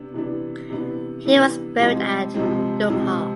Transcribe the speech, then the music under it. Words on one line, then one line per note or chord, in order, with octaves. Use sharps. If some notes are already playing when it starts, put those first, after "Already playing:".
He was buried at Youghal.
Already playing: C3 B3 D4
C3 E3 B3 D4
C3 E3 B3 D4
C3 E3 B3 D4
C3 F3 G#3 C4
C3 F3 G#3 C4
C3 F3 G#3 C4